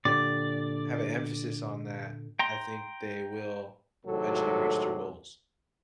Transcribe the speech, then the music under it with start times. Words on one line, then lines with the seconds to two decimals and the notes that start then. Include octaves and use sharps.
have an emphasis on that, I think they will eventually reach their goals.
0.05 A#2 D3 G4 D5
2.39 G5 A#5 C6
4.06 G#1 A2 C3 F#3 A4